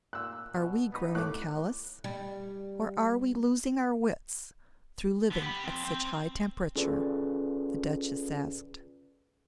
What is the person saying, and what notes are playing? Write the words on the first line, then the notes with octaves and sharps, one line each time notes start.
"Are we growing callous, or are we losing our wits through living at such high temperature?" the Duchess asked.
A#2 E6 F#6
B2
B3 D#4 B4
A2 A3 D6 F#6
G3
D3 B3
G4 B5
F3 C4
C4
C#4 F4 G#4 A4 B4 D5